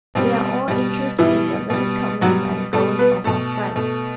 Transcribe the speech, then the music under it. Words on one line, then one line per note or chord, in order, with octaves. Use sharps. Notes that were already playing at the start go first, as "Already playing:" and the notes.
We are all interested in the little comings and goings of our friends.
B2 G3 C4
B2 G3
B2 E3 G3 E4
B2 G3
B2 F#3 G3 F#4
B2 G3 A3 A4
B3 B4
B2 A3 A4
B2 A3